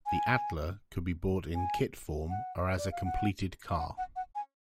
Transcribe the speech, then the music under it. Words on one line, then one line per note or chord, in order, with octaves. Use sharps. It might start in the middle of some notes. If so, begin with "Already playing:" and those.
The Atla could be bought in kit form or as a completed car.
G#5
G#5
F#5
C#5
D5
F5
F#5
F5
F#5
F#5
F#5
G#5